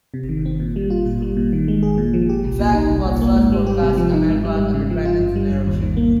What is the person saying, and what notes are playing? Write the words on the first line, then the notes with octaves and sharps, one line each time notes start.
In fact, it was first broadcast in America under Brandon's narration.
C3
D#3
C4
A#2
G3
F4
A#2
G3
A#2
D#3
G#3
G#4
A#2
F3
G4
C2
A#2
D#4
C2
A#2
A#3
G#2
G3
G4
C3
F3
D#4
G#2
G3
G#2
C#3
F3
F4
G2
G3
G2
D#2
D#3
A#3